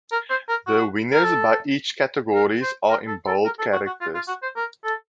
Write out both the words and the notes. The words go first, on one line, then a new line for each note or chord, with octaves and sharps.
The winners by each categories are in bold characters.
A#4
C5
A#4
F#4
A#4
A4
A#4
C5
A#4
A4
A4
A#4
A4
F#4
F#4
F4
F4
F#4
C5
A#4
A4